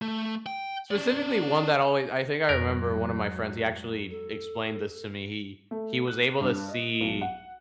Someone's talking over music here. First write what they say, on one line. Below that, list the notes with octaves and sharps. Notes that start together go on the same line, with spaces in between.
specifically one that always I think I remember one of my friends, he actually explained this to me. He he was able to see
A3
G5
C#4 D5
F2 G#2 F#3 A#4 F#6
A4
A3
F#6
G2
D#5
B1
F#5